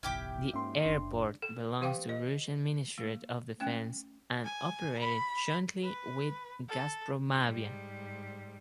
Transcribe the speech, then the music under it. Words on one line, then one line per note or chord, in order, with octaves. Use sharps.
The airport belongs to Russian Ministry of defence and operated jointly with Gazpromavia.
F#1 B1 E2 E4 G4 D6 F6
G#2 A#3 C#4 F#4 E5 C6
F#1 D4
A4
E3 G4 F5 G5 D6
D#5
A#3
A3 C#4 G5
G#5
B5
B4
A4
G#2 G3